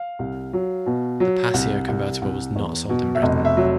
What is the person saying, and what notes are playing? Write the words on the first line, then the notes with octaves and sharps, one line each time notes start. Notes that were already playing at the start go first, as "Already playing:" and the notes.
The Paseo convertible was not sold in Britain.
Already playing: F5
C2
F#3
B2
F#3
C2
C2
C2
E2
B2
E5
F1 D#5
E5
F#3